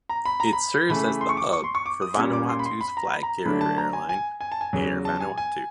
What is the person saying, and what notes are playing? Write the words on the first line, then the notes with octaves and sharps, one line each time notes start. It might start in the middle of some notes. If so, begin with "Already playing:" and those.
It serves as the hub for Vanuatu's flag carrier airline, Air Vanuatu.
A#5
B5
A#5
B5
C#3 E3 A3 B5
C6
C#6
D6
C#6
C6
C#6
D6
D#6
A#2 G3 A#3 C#4
D6
C6
B5
C6
B5
A#5
B5
A#5
D3 F#3 A3 D4 B5
A5
A#5
G#5
G#5
G#5
A5
G#5
E2 C#3 F#3
A5
G#5
G#5